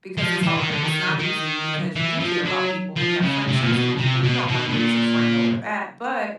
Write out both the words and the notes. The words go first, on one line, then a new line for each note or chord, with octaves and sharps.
because it's hard; it's not easy because you do care about people, you have friendships with people, you don't wanna lose a friend over that, but
F3
E3
D#3
D3
D#3
D#3
E3
F3
F#3
F3
C#3
C3
A#2
B2
C3
B2
B2
B2
A#2